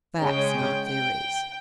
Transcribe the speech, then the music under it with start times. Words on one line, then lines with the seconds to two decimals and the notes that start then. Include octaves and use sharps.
Facts, not theories.
0.22 C#3 G#3 C#4 G5
0.87 G5